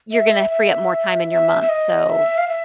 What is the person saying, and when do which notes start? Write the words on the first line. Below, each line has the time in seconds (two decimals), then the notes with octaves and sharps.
you're gonna free up more time in your month, so,
0.12 E5
0.50 E5
1.30 E5
1.62 E5
1.69 D#5
2.09 E5
2.38 F5
2.48 E5